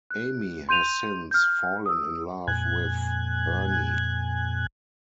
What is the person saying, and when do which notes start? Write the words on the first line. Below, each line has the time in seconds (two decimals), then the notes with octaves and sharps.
Amy has since fallen in love with Ernie.
0.11 F#6
0.69 C6 G6 D#7 F7
1.31 F6 G6
1.86 D#6 E6
2.47 F2 A#2 G#5 F#6 G#6